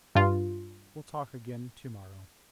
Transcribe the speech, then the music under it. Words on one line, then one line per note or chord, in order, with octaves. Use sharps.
"We'll talk again to-morrow."
G2 F4